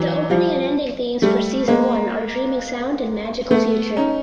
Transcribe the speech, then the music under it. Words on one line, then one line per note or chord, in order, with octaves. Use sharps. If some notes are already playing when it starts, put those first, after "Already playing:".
The opening and ending themes for season one are "Dreaming Sound" and "Magical Future".
Already playing: E3 F#3
F3 G3
G3 A3
G#3 A#3
A3 B3
C#4 D#4